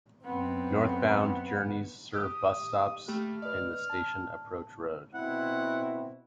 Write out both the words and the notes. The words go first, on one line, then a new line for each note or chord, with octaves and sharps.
Northbound journeys serve bus stops in the Station Approach road.
F#2 B3 C4
G4 D#6
A3 A#3 G4 B5 F6
B4 D5 D#5
A5
B2 C4 E4 F#5